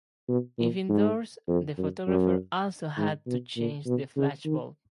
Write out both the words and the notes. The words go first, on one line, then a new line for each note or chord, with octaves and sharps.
If indoors, the photographer also had to change the flashbulb.
B2
A#2
G#2
F2
F#2
F#2
G#2
B2
A#2
B2
C#3
D#3